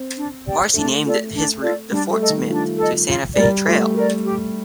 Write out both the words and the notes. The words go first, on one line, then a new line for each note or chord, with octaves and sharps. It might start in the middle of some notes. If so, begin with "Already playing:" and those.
Marcy named his route the Fort Smith to Santa Fe Trail.
Already playing: C4
D4
G4 D5 G5
A3 D4
F4 A4 D5
D4
F4 A4 D5
G3 D4
A3
A4 D#5
D#3
F3 D4
A4 D#5
F4
G3 A#4 D5
A3 F4
A3 A#4 D5
G4